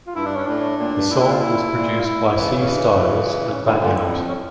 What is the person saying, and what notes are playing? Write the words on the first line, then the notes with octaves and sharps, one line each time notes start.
The song was produced by C. Styles and Bang Out.
F4
G2 E4
D4
C#4
A2 D4
A#2
G2
A#2 E4
D4
E4
F4
E4
A#2
F4
E4
C#3 E3
C#4
D4
C#4
C#4
E4
F4
F4
F4
E4
C#4
A#2 D3 E4
A#2 D3 F4
F4
F2 E4
E4
F3
C#4